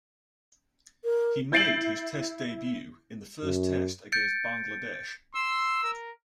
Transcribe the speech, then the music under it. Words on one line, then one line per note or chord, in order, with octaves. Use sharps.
He made his Test debut in the first Test against Bangladesh.
A#4
E4 G6 A6 C7 D7 F#7
F#2
G6 A6 C#7 D7
C6 E6
A#4